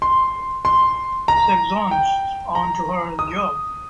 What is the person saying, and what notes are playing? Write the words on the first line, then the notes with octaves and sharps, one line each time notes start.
Saxon's onto her job.
C6
C6
A#5
G5
A#5
D#6